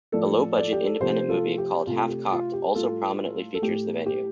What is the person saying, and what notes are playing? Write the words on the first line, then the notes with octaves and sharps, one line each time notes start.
A low-budget independent movie called "Half-Cocked" also prominently features the venue.
A2 F3 A3 A4 D5
A4 D5
G4
A4
C3 F3 A3 G4 C5
F4 A4
G4
C3 A3 F4
G4
F4
G4
A2 G3 F4 A4
A4
A2 A3 G4
G4